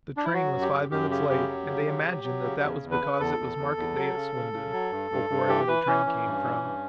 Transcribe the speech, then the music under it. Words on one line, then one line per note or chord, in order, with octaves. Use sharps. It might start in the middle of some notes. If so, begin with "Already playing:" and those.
The train was five minutes late and they imagined that that was because it was market-day at Swindon or wherever the train came from.
D4
E4
F#3 F#4
F#2
G4
F#2
F#2 G4
C#3 G4
F#2 G4
F#3
C#3
F#3
F#3
F#3
C#3
E2
E2
B4
C#3
E2 A4
E2
E2
E2
F#3
C#3
C#3
C#3
F#3
G2
G2
G2
E3 G4
E3 B4
E3 C#4
E3
G2
E3
G2